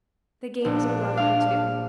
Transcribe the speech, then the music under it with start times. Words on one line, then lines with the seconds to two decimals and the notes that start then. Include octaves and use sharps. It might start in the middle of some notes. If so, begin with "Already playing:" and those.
The games are lovely, too.
0.65 A#1 D4
1.17 F5 F6